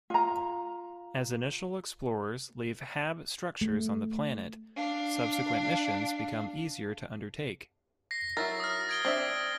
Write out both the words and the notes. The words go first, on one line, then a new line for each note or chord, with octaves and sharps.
As initial explorers leave hab-structures on the planet, subsequent missions become easier to undertake.
F4 A#5
A3
D4 F5
A#6 C7
F#3 E4 A#4 A6
D#6 F6
G#6 D7 G7
C4 D4 E5